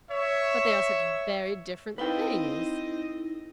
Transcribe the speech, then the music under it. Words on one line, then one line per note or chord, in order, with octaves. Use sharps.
"But they are such very different things!"
C#5 E5
C4 D#4 E4 A4 B4 D#5 F5 G5